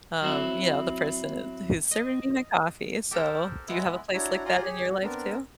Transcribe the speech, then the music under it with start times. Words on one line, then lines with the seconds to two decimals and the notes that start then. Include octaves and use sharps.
um, you know, the person who's serving me my coffee, so do you have a place like that in your life too?
0.22 F#3 C4 E4
1.91 D#5
3.11 G4 A4 A#4 C5
3.68 G#3 B3 E4
4.14 D4 E4 F#4 C#5 A#5
4.45 F4 F#4 D5 G#5 A#5 C6
4.62 G4 G#4 C#5
4.88 F#4
5.03 B3 C4 D4 A#4